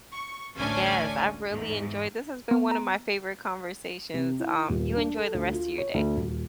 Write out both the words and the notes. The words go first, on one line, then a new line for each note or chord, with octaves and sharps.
Yes, I really enjoyed This has been one of my favorite conversations, um, you enjoy the rest of your day.
C#6
A1 D2 C#4 D4 G#5
E2 G#2
B3
A#5
C3
E4
D#1
D4
A4
D2
F4
C#5
D2
D#1